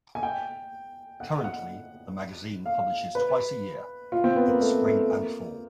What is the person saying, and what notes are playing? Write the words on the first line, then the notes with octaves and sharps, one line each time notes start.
Currently the magazine publishes twice a year, in spring and fall.
G#5
G5
F#5
F#5
F5
B4
F4
C4
B3
A#3
A3
A3
A#3